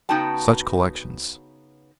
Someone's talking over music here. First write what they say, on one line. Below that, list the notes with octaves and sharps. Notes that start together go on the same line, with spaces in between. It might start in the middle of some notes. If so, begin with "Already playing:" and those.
Such collections!
C#3 B3 D#4 F#4 G5 A5